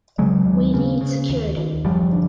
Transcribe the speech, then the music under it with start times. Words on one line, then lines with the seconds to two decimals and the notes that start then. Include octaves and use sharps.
We need security.
0.18 C#3 F#3 G#3
0.46 D#2
0.74 C#3
1.01 C#3
1.30 D#2
1.57 D#2
1.84 F#1 F3 G3
2.12 D3